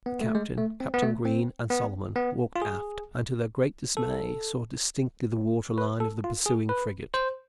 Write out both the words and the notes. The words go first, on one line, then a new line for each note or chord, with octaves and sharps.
The captain, Captain Green, and Solomon, walked aft; and, to their great dismay, saw distinctly the water line of the pursuing frigate.
B3
A3
G#3
A3
C4
B3
A3
C4
B3
B3
F4
G#4
A4
B4
A4
F4
G#4
B4
C5